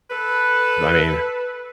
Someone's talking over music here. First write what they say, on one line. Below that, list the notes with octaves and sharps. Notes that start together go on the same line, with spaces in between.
I mean,
A4 B4